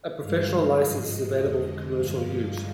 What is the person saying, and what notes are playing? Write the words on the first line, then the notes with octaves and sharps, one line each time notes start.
A professional license is available for commercial use.
G2 D3 G#3 F5
G#2 F3 G#3 D#5
F2 D3 G#3 D#5
G2 D3 F3 G#3 F5